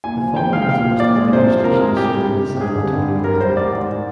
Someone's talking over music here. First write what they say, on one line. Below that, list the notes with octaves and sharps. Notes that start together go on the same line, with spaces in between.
The following is a list of radio stations serving the San Antonio area.
A#2 G#5
F3
A#2 G5
G#3 F5
G5
A#2 F5
F3
A#2 D5
G#3
C3 C5
F3
C3 A#4
G#3
G3 G4
G3
C3
C3
G4
G2 G#4
D3
G2
G3
G3 A#4
G3 C5
G#2 D5
G#2